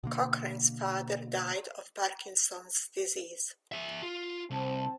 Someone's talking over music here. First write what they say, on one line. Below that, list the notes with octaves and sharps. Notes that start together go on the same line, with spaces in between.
Cochrane's father died of Parkinson's disease.
B2 D3 A#3
G#4 E5
F4
C2 C4 A5